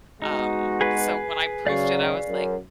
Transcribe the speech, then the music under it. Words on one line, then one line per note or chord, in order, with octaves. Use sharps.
um, so when I proofed it, I was like,
G#3 B3 D#4 F#4
G#4 B4
C#3 F#3 D5 F5 C#6
F#2